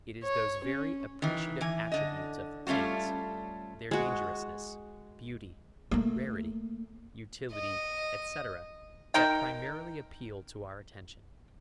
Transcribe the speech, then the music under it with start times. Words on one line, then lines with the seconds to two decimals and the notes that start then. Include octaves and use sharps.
It is those very appreciative attributes of things, their dangerousness, beauty, rarity, utility, etc., that primarily appeal to our attention.
0.24 C#5
0.65 C#4
1.22 D#3 E3
1.61 E3 G#5
1.92 D3 D#5
2.67 G3 A3 C#4 F4 F#4
3.91 G#3 F#4
5.91 A3 A#3
7.52 D#5
9.14 D#4 A#4 G5